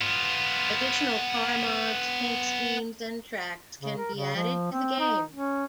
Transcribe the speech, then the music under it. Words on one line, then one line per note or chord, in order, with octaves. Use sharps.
Additional car mods, paint schemes and tracks can be added to the game.
B3 F4
C#3
A#4
C#3
F3
C4
D#4
C#4